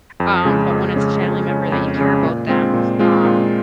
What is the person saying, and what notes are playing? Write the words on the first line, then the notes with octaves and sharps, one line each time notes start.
Um, but when it's a family member that you care about them, um
F2
C#3 G#3 C#4
F2
C#3 G#3 C#4
F2
C#3 G#3 C#4
F2
C#3 G#3 C#4
A#2
G#3 C4 F4
A#2
G#3 C4 F4
A#2